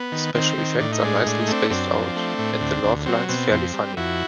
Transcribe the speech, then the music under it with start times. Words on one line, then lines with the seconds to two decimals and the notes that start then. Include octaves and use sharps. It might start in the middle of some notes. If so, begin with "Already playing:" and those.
The special effects are nicely spaced out, and the laugh lines fairly funny.
Already playing: B3
0.12 D#3
0.35 D#3 C4
0.58 D#3
0.80 A2 D4
0.92 D#4
1.03 G#3 D4
1.15 D#4
1.26 A2 D4
1.40 D#4
1.48 A3 C4 D4
1.70 F#2 C4 D4
1.93 F3
2.16 A3
2.38 A2
2.61 D2
2.84 D2
3.06 F#3 C4
3.28 B2 C4
3.51 F2 C4
3.74 G3
3.97 F2 E4 F#4